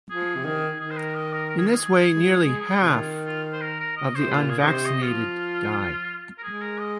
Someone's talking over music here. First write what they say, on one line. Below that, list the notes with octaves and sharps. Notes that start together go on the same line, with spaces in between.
In this way nearly half..of the unvaccinated die.
F3 G#4
C3
D#3 G#4
D#3 G#4
C5
A#4
D#5
A#4
A#4
G#4
F4
G#4
G#3
F3
G#3
C3 G#4
D#3 F4
F4
C5
A#4
A#4
D#5
C5
C3
A#2 F4
G#4
D#5
D#3
C3 C5
D#5
F3 F4
A#4
G#3 G#4
A#4
D#5